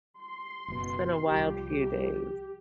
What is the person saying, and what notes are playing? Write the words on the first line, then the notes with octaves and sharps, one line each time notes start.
it's been a wild few days.
C6
F#1 B2
C2 F3 G3 G4